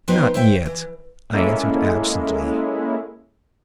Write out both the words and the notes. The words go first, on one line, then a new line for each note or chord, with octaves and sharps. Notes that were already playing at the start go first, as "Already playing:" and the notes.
"Not yet," I answered absently.
F3 B3 D#4 B4 C5 G5
C5 C#5 E5 F5 G5
E3
G#3 A#3 C#4 E4 A4